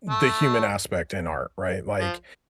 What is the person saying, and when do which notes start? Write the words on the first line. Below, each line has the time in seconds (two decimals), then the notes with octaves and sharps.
the human aspect in art, right? Like,
0.09 A3
2.00 F3